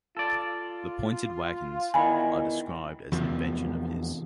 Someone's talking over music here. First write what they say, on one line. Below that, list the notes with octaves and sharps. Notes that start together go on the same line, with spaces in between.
The pointed wagons are described as an invention of his.
F4 A4 D5
E2 D#3 E3 G#5 B5
E2 C3 F3